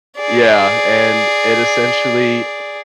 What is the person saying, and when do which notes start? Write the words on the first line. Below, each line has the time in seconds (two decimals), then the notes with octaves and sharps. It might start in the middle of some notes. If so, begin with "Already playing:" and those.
Yeah, and it essentially, u
0.17 G#4 D5